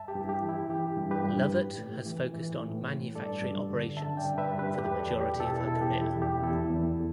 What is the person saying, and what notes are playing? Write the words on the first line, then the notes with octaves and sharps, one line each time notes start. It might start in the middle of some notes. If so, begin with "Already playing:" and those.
Lovett has focused on manufacturing operations for the majority of her career.
Already playing: G2 E5 A5
G4
G2
E4
G4
E3
E4
E3 G4
G2
G4 B4
G2
A2
A2
E3
E3
A2
A2
G2 A4 D5
G2
D3
D3 E5 A5
D5 G5
G2
B4 E5
G2
G4 B4
E2 G4 B4
A4 D5
E2
G4
B2
E4 A4
B2 E4 A4
G4
E2
E4
E2
G4
E2 E4 A4
E2